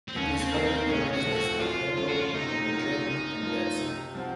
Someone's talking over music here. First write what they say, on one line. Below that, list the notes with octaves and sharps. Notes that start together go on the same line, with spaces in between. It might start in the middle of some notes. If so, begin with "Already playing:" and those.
It is characterized as uptempo, energetic, and danceable.
C4
D#2 C#4
C4
D#3 A#3 D#4 A#4
C4
A2 C#4
F#4
F3 A3 C4
F#4
F#2 F4
F3 A3 C#4 F4
F#4
F4
C3 D#4
F#3 A#3 F4
F#2
F3 A#3 F4
C3
F3 C4 F#4